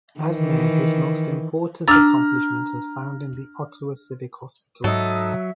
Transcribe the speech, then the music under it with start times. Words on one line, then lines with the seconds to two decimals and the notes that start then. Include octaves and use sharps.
As mayor his most important accomplishment was founding the Ottawa Civic hospital.
0.20 D#3 E3
1.88 D4 A#5 E6 F6 A6
4.84 G#2 F#3 D#4 A4 E5